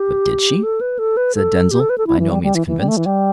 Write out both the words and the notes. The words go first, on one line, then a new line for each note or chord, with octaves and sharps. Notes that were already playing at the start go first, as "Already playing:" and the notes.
"But did she?" said Denzil, by no means convinced.
Already playing: G4
A4
B4
A4
B4
A4
G4
A4
B4
A4
E4
E3
G3
G3
E3
E3
G3
A3
E3
G3